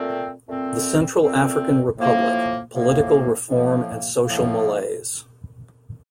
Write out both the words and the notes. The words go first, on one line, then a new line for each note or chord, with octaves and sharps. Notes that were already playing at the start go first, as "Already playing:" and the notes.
The Central African Republic: Political Reform and Social Malaise.
Already playing: A#2 A3 C4
A#2 A3 C4
A#2 A3 C4
A2 F3 A#3
A2 F3 A#3
A2 F3 A#3
A2 F3 A#3